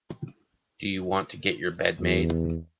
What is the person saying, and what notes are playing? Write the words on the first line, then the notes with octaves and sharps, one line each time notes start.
Do you want to get your bed made?
E2